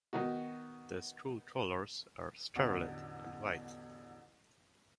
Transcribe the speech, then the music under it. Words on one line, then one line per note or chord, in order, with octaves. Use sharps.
The school colors are Scarlet and White.
D#3 B3 D#4 F#4
A1 E2 D3 F#3